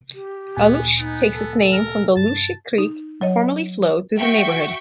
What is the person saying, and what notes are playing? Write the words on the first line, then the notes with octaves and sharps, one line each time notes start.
Aluche takes its name from the Luche creek that formerly flowed through the neighbourhood.
G4
D2 A#2 B3 G#5
B3 D#4
A4
A#4
G2 A5
D#4
F#3 C#5 D#5
F#4 E5 G5 C#6